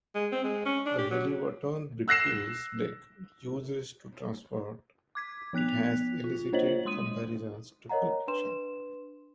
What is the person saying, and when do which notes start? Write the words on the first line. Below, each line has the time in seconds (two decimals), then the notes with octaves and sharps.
The Haliburton briefcase Blake uses to transport it has elicited comparisons to "Pulp Fiction".
0.15 G#3
0.32 C4
0.44 G#3
0.66 C#4
0.86 D4
0.98 G4
1.11 F#3
2.08 E6 F#6 A#6 C7 E7
5.15 D6 G#6 B6
5.53 F3 B3 F#6 B6 F7
6.24 F4
6.53 A#3 D4 C5 C#5 D#5 F#7
6.85 G#3 C6 D#6 D#7
7.89 A#4 C#5 D#5 F#5 A#5
8.28 D4 B4 C6 E7